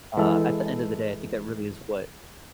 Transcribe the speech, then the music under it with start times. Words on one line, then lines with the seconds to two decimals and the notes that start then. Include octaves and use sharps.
uh, at the end of the day, I think that really is what
0.17 E3 G#3 E4 A4